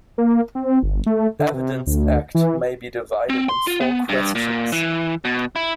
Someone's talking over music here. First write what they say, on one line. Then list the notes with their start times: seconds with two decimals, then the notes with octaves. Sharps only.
Evidence Act may be divided in four questions.
0.18 A#3
0.55 C4
0.83 G1
1.06 A3
1.39 D3
1.54 C3
1.87 D2
2.35 E3
3.30 C4
3.49 C6
3.67 F4
3.81 B3
4.09 G2
4.35 A#2
4.72 E3
5.25 B2
5.56 E4